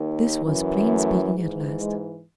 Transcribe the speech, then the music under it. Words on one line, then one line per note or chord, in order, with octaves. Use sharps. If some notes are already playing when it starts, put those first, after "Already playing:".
This was plain speaking at last.
Already playing: D#2 D#3
F#2 E3
A3
G#2 E3
G#3